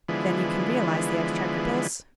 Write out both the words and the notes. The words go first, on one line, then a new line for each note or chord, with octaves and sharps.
"Then you can realize the Exchequer bills?"
D3 E3 F3 G#3 B3